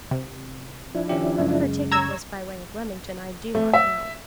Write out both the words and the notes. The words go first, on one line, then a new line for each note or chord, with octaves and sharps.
Whether her ticket was by way of Leamington I do not know.
C3
F3 D4 E4
D#3 C#4 G4
F#2 C#3 G#3
C#5 A#5 E6 G#6
A3
E5